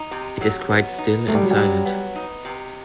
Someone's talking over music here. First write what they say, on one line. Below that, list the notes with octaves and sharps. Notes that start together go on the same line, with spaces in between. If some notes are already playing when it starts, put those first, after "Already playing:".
It is quite still and silent.
Already playing: D#4
C3
F#3
B3
D#4
C3 A3
G3
F#3
G3
F#3
B3
D#4
C3